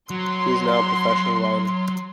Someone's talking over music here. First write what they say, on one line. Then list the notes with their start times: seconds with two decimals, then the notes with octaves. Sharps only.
He is now a professional writer.
0.10 F#3 C6